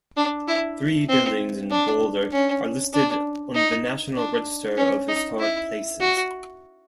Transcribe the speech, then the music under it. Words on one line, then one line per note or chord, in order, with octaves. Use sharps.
Three buildings in Boulder are listed on the National Register of Historic Places.
D4
E4
C4
D4
C#4
D4
D#4
D4
C#4
D#4
E4
F#4